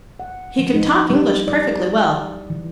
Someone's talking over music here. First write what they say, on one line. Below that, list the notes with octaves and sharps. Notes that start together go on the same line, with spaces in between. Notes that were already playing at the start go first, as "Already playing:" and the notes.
He could talk English perfectly well.
F#5
F3
D#4
G3
D5
E3